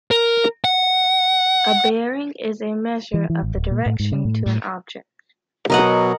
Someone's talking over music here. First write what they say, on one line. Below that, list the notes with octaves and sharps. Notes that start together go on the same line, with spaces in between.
A bearing is a measure of the direction to an object.
A#4
F#5
E3
E3
A1
D1
A#2
A2
G#2
C#3
A2
A2
B2 F#3 A#4 D#5 F#5